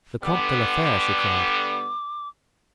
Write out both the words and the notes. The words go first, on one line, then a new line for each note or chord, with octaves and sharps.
"The Comte de la Fere!" she cried.
D3 G3 B3 D6